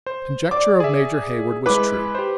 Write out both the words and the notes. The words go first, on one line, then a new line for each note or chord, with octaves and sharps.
The conjecture of Major Heyward was true.
C5
D5 D6
G#4 E5
G#3 E4 B4 D6
G4 C5